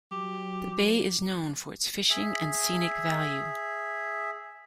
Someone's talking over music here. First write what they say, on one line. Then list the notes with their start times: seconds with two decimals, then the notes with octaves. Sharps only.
The bay is known for its fishing and scenic value.
0.12 F#3 G4
2.10 G#4 E5